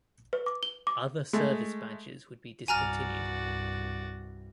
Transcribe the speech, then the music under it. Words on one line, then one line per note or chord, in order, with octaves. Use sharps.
Other service badges would be discontinued.
B4
D6
G7
D6
G#3 A3
C2 G2 F#4 D5 G#5 A#5 F6